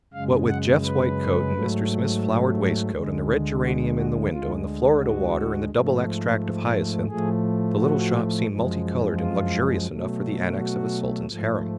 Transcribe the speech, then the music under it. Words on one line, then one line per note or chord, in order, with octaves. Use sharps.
What with Jeff's white coat and Mr. Smith's flowered waistcoat and the red geranium in the window and the Florida water and the double extract of hyacinth, the little shop seemed multi-coloured and luxurious enough for the annex of a Sultan's harem.
F#2 C#3 G#3 F5
F#5
B4
G#2 F#3 A3
D2 D3 G#3
F#4
F#4
D2 D3 G#3 F4
F#4
G#2 F3 A3
A2 F3 A3 G#4
F#4
F#2 F3 G#3
F4
B2 F#3 A3
F#4
G#2 F3 A3